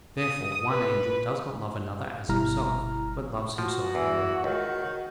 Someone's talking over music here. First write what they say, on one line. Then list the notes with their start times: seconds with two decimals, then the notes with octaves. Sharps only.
Therefore one angel does not love another as himself, but loves himself more.
0.19 D#6
0.68 B4
2.29 G1 B2 G3 E4 A#5 F6
3.58 F3 F#4
3.95 E2 E3
4.44 C#2 D#3